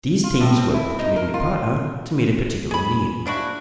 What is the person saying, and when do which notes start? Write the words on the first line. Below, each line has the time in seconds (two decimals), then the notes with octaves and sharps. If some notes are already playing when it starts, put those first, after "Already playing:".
These teams work with a community partner to meet a particular need.
0.24 F4
0.40 A2
0.58 C4
0.74 E4
0.99 D#4
1.16 A#4
1.34 F4
2.71 G#4 B5
3.26 F3 D4 E4 F#4